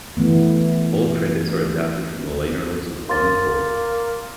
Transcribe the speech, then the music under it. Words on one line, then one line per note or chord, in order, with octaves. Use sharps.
All credits are adapted from the liner notes of "Encore".
E3 A3 B3
A#3 C6 A6